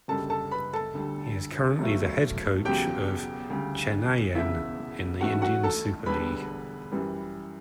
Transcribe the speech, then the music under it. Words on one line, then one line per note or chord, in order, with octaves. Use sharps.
He is currently the head coach of Chennaiyin in the Indian Super League.
F#1 F#2 D3 G3 A4 A5
A4 A5
B4 B5
A4 A5
D2 D3 G3
G1 G2 F#3 A3
E1 E2 C#3 F#3 G4 G5
D2 C#3 G3
E1 E2 C#3 E4 E5
A1 G2 E3 A3 F#4 F#5
F#4 F#5
A4 A5
E1 D2 D3 G3 B4 B5
F#2 E3 G3